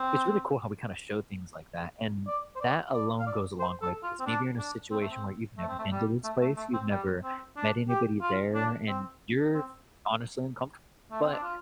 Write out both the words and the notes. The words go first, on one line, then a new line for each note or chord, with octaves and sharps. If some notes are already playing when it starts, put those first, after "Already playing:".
it's really cool how we, kinda, show things like that, and that alone goes a long way, because maybe you're in a situation where you've never been to this place, you've never met anybody there, and you're honestly uncomfortable, but
Already playing: C4
D5
C5
D5
D5
F5
D5
C5
A4
F4
C4
D4
D4
C4
A3
C4
A3
C4
A3
G3
A3
A3
A3
C4
G3
C4
D4
G4
F4
D4
C4
C4
A3
C4
D4
F4